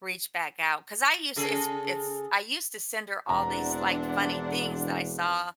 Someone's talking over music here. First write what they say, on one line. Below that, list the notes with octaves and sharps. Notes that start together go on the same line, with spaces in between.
reach back out, 'cause I used to it's it's I used to send her all these, like, funny things that I saw,
C#3 G#4 A4
E1 E2 C4 D4 F#5 A#5